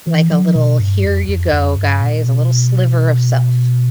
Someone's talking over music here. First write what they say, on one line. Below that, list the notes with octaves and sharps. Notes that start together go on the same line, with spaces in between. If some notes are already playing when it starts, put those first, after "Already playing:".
Like, a little, "Here you go, guys." A little sliver of self.
E3
F3
F#3
F3
B2
G2
F2
F2
F2
G2
A#2
B2